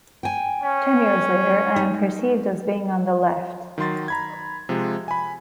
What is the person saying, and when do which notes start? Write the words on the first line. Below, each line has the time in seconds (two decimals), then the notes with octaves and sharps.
Ten years later I am perceived as being on the left.
0.23 G5 G#5
0.63 C#4
1.76 G#3 D#4
3.78 D#3 F#3 C6 A6
4.08 A#5 B5 G#6
4.69 C3 F3 G#3
5.08 G#5 B5